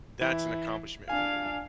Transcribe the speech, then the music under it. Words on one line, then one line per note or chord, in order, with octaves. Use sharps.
That's an accomplishment,
E3 E4
D4 F5 G#5